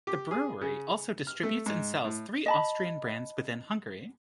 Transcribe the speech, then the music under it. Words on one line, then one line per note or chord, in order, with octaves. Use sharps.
The brewery also distributes and sells three Austrian brands within Hungary.
G4
G#4
C#3
F6
A3
G#2
A2
D#5 A5 B5